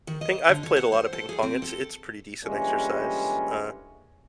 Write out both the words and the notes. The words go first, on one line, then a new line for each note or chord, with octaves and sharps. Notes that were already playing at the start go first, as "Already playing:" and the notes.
ping I've played a lot of ping pong, it's it's pretty decent exercise, uh,
D#3
D#5
D3
C#5
F#5
C5
A4
G#4
C4
A4
A#2 D3 E3 G3 G#3 C#4